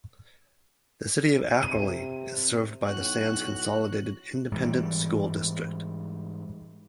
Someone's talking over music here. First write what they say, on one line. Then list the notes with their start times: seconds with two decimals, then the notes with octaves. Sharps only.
The City of Ackerly is served by the Sands Consolidated Independent School District.
1.63 C3 D#7
2.87 B1 A2 C#4 F#4 F#6
4.52 G#2 E3 G3